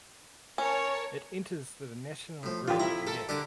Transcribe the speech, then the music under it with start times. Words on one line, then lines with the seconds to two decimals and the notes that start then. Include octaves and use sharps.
It enters the national grid there.
0.58 C#4 A#4 C#5 A5
2.43 A2 F3
2.68 F2 E3 A#3 F4 G4
2.80 F2 E4 A#5
3.07 A4 A#4
3.29 D3 G4 A4 A#4